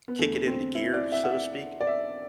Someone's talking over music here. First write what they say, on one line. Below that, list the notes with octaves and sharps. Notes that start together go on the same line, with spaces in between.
kick it into gear, so to speak,
B3
E2 D3 A3
C4
E4
D5
E5
F#5
E5
D5
E5